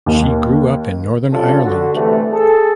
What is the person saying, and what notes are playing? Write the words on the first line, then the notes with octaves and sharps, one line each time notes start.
She grew up in Northern Ireland.
D#2
F2 G3 C#4 D4 F4 A4
D3 F#4
G2 C3 E3 A3
G#4 A4